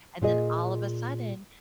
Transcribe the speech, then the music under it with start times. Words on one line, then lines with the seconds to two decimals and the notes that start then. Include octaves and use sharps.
And then all of a sudden,
0.22 A#2 F4 G#4 D#5